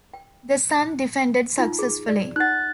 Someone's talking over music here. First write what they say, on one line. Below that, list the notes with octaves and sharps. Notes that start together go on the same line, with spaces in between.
The son defended successfully.
G5
D#4 F4
G#4
D5
D#4 F#5 F#6 A6